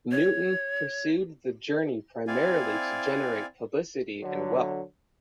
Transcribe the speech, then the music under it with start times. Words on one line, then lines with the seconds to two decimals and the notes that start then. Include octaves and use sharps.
Newton pursued the journey primarily to generate publicity and wealth.
0.11 C#5
2.27 C4 E4 D5 F5 G#5
4.24 D3 F#3